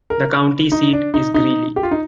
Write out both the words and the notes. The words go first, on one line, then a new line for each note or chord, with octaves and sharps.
The county seat is Greeley.
A#4
D#4
D4
D#4
D#4
G4
F4
D#4